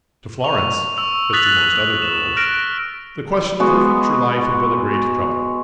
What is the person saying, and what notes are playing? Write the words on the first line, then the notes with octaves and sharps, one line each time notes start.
To Florence, as to most other girls, the question of her future life had been a great trouble.
C#6 F7
C#6 E6 F7
D#6 F#6 A6 B6 F7 F#7
E7
F6 F#6 A#6 D7
G#3 B3 F#4